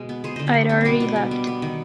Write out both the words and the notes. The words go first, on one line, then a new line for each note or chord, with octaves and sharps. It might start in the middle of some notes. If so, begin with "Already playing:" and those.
I’d already left.
Already playing: B2 G#3
B3
B3 G#4 C5
D3 C5 D#5
G4 B4
D3
G3 B3 D4
B2 B3 C4 D4
B2
G3
B3
B3
D#3